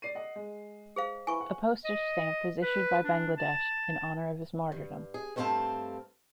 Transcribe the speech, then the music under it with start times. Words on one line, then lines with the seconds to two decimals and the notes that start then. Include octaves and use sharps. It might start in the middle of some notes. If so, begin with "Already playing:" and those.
A postage stamp was issued by Bangladesh in honor of his martyrdom.
0.02 D5 C7 D#7
0.15 D#5 F#5
0.36 G#3
0.96 G#4 C5 F5
1.27 E4 B4 G#5 C#6
1.41 F#5
1.85 D#5
2.62 B4
3.04 D4
3.38 A5
4.72 G2
5.14 G#4
5.36 G2 A3 C4 E4 F5 A5